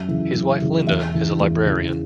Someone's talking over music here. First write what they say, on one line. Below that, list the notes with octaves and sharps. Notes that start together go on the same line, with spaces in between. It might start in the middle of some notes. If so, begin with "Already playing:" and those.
His wife Lynda is a librarian.
Already playing: F#2 E5
C#3 E3
F#2
C#3 E3
E2 E5
C#3 E3
E2
C#3 E3